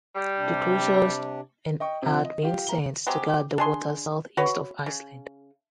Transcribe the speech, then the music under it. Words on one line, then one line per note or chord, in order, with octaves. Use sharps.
The cruisers and had been sent to guard the waters south-east of Iceland.
G3
C3 D4 G4
D#5 G5 C#6
C3 F3
D#5
F4 G4
A#3 A#5 G7
F#3 G#3 C4 G4
D4 G#4 C6
F#4 B4 C#5
C#3